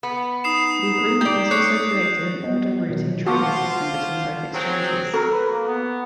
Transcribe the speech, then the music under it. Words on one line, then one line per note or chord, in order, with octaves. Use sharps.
The agreement has also created an order routing trading system between both exchanges.
B3
D#4 D#6 C7 E7
G4 D5 G6
C#5 F#6 C7
B3 D#5
B2 D#3 F#3
F4 F#4 C5 F#5 A5 D6
F#3 C4 G#4
F#4 A4 A#4 A#5
B4
A#3
B3